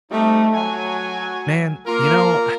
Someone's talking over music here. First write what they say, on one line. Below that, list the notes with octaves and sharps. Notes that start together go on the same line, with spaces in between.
Man, you know,
G3 A3 C4 D#4
F#3 G#5
A#3 F4 A#4